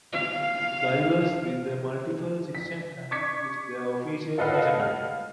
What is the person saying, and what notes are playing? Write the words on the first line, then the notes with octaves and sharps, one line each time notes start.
Drivers with multiple citizenship choose their "official" nationality.
F5
B6
C#6 D6 G#6 B6 C#7
F4 A4 B4 D#5 F5 F#5
F6